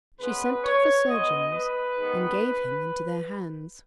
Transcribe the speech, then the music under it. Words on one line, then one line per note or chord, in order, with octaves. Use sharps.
She sent for surgeons, and gave him into their hands.
C#3 G#3 B3 B4
C#5
B2 G#3 B3 D#5
B4
G#2 D#3 G#3 B3